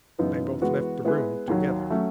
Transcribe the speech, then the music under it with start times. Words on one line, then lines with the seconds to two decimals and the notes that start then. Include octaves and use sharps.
They both left the room together.
0.18 F#2 C#3 E3 B3 D#4
0.61 E3 G#3 B3 F#4
1.05 G#3 B3 E4 G#4 B4
1.48 D#2 D#3 F#3
1.90 F#3 A3 C#4